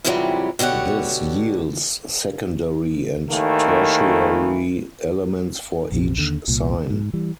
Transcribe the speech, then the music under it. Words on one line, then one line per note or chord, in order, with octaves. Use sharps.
This yields secondary and tertiary elements for each sign.
F2 G#2 C3 E3 F#3 G3
B2 D3 G4 C#5 F#5
D#2 D#3 E3 A3 A#3
A#1 F2 C3
D#2 D3
C2 A#2
G#2
E3 G3